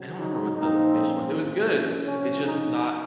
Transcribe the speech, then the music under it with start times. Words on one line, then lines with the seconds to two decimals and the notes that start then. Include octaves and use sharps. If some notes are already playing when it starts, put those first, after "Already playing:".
I don't remember what the fish was it was good, it's just not
Already playing: C#3 F#3 C4
0.19 D#4
0.55 A#2 F3 C4 D#4
0.94 C#4
1.31 A2 F3 A#3 C4
1.70 C#4
2.06 C3 F3 C4 C#4
2.45 D#4